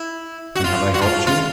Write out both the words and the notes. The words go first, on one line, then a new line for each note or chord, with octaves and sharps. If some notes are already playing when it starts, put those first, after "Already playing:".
"And have I helped you?"
Already playing: E4
F#4
F4
F#4
F4
F4